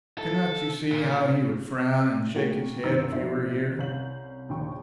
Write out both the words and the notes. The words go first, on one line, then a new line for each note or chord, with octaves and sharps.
Cannot you see how he would frown and shake his head if you were here?
A4
A#2
A#2 A3 A#3 F#4 G4
G1 D#3 A#5 E6
B1 F3 D4 C5 E5 C7
C2 C#4 F5 G6 F#7
A#1 D#2 C#3 G5 C#6